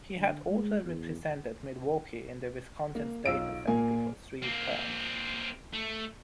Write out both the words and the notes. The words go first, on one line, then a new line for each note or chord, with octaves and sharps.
He had also represented Milwaukee in the Wisconsin State Assembly for three terms.
D3
G#3
E2
A#3
B1 F4 E6 D7
A#2 A#3 G#5
A#3 C4
A3